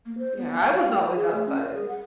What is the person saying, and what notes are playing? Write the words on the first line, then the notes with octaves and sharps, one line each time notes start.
Yeah, I was always outside.
A#3
C5
B3
F5
F5
G5
G#4
A3
C#4
A#4
G#4
F#5